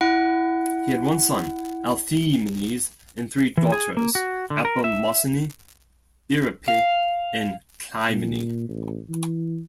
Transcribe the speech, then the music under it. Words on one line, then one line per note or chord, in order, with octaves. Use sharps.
He had one son, Althaemenes, and three daughters, Apemosyne, Aerope and Clymene.
E4 F#5
E3
G#4
A#3
F#4
D3
A#4
E5
F5
A#2
A1
E3